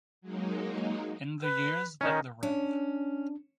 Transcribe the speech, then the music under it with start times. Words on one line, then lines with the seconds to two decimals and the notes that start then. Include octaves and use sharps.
In the years that the Rev.
0.21 F#3 G#3 A#3 D#4
1.42 B4
2.01 D#3 C#4 D#4
2.43 C#4 D4